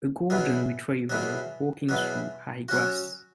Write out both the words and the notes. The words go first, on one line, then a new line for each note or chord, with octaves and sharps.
A golden retriever walking through high grass.
E2 B2 F#3
E2 B2 F#3
E2 B2 F#3
F#3 C#4 F#4